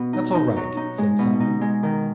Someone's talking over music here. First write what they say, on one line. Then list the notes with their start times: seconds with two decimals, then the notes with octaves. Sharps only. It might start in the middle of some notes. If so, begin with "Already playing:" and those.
'That's all right,' said Simon.
Already playing: B2
0.13 D#4
0.34 D#4
0.56 F#3
0.77 D#4
0.98 G#3
1.19 B2
1.40 D#4
1.61 G#3
1.83 D#3